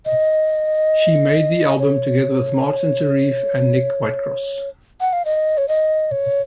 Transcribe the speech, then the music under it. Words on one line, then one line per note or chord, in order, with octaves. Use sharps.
She made the album together with Martin Terefe and Nick Whitecross.
D#5
C#5
F#5
F5
D#5
C#5
D#5
C#5